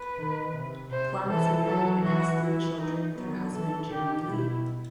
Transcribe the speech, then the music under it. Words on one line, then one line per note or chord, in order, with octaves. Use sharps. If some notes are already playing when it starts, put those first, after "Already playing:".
Plumb is married and has three children with her husband, Jeremy Lee.
Already playing: B4
D#3
C3
C3 C5
E3 A4
F#3 A4
E3 F#4
E4
D#4
F#3 B3
E3 A4
D#3 G4
B2 E4